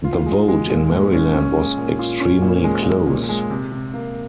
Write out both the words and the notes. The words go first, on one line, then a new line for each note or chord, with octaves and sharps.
The vote in Maryland was extremely close.
F4
G#3
G#3
A#2
G#3
C#4
C#4
G#3
A#2
F4
C#4
A#2
G#3
A#2
A#2
G#3
C3
C3
A#3